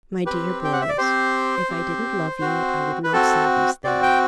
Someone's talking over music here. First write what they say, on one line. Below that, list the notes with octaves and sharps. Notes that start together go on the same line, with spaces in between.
'My dear boys, if I didn't love you, I would not say these things.
C4 G4 B4
G5
F#5
E5
D5
C4 G4 C5
C4 G4
C4 F#4
B4
C4 F#4 A4
C4 F#4 D5
G5